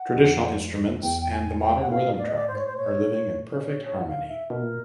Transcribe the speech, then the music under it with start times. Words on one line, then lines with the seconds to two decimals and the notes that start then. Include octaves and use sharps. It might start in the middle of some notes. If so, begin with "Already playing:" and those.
Traditional instruments and the modern rhythm track are living in perfect harmony.
Already playing: F#5
0.16 F2
1.03 E2 G5
1.21 G5
1.32 G#5
1.61 G5
1.81 F#5
1.90 A2 F5
2.18 D5
2.27 D#5
2.36 D5
2.48 G#2 C5
2.58 C#5
2.63 A2 C5
2.76 A#2 C#5
3.59 D5
3.63 C#5
3.85 C#5
3.99 F#5
4.07 F5
4.29 E5
4.50 B2 A#4
4.63 A#2